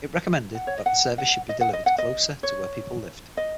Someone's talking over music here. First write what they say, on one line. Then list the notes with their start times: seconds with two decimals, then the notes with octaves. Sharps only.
It recommended that the service should be delivered closer to where people lived.
0.55 F#5
0.67 C#5
0.77 D#5
0.86 F#5
1.18 F#5
1.49 D#5
1.61 F#5
1.73 D#5
1.86 F#5
1.98 D#5
2.43 C#5
3.37 D#5